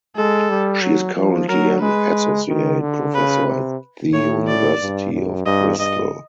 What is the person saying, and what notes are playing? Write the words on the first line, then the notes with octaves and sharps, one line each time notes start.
She is currently an associate professor at the University of Bristol.
G#3 A4
G3
F#3
F3
F#3 A#4
G#3 B4
D#3
D3
C#3 B4
C3
A2 C#5
D5
G2
F#2
G2 D#5
G2 D#5